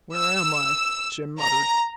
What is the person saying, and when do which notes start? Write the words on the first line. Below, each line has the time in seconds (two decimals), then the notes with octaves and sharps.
"Where am I?" Jim muttered.
0.15 E6
1.39 A#5